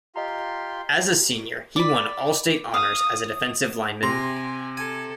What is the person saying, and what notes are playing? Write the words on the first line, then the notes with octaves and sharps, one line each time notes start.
As a senior, he won all-state honors as a defensive lineman.
F4 G4 D#5 A#5 C6
D5 B5
F5 D#6
C3 G4 G#5 A#5 C6
A4 G#5